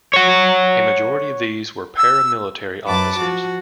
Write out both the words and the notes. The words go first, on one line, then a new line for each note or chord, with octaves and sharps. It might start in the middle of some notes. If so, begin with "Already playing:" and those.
A majority of these were paramilitary officers.
C#5 F#5
E6
F#2 B4 A5 D6 A6
F3 F#4